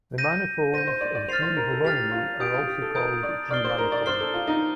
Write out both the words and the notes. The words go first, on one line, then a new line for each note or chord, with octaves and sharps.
The manifolds of G holonomy are also called G-manifolds.
G6 A#6 D#7
C5 G6 A#6 D#7
C5
D5
D5
C5 F6 A6 C7 F7
C5
A#4
A4
G4 F6 A6 C7 F7
F4
G4 D#6 G6 D7
F4
G4
A4
A#4 D#6 G6 D7
D5
D5 F6 C7 G7
C5
A#4
D5
C5 F6 C7 G7
A4
F4
D#4